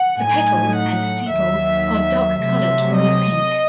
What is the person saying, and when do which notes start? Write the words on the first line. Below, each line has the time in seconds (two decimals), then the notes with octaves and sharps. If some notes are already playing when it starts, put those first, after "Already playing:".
The petals and sepals are dark-colored, rose pink.
Already playing: F#5
0.22 A2 F#3 A3 D#4 G#5
0.77 F#5
1.32 D#2 D#3 F#3 E5
2.42 C3 F#3 A3 E5
2.96 D#5